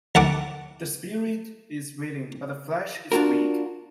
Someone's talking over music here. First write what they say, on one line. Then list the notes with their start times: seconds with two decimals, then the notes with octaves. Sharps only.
The spirit is willing but the flesh is weak.
0.15 D2 F#5 A5 D6
3.12 D4 F4 F#4 A#4